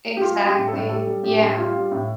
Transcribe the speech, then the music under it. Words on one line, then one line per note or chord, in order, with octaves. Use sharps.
Exactly. Yeah.
G4
G3 F4
G3
G4
A2
A4
A2
G3 A4
G3
A2 G4
A2
G3 F4
G3
A2